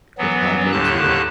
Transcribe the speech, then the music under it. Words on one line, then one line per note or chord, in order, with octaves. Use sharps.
It had no tail.
E3 F#3 B3
D#2 A2 D3 G4 A5 F#6